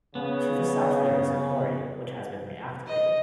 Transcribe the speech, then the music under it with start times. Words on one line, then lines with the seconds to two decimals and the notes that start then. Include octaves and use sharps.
To the south there is a quarry, which has been reactivated.
0.15 C#3 B3
2.87 D#5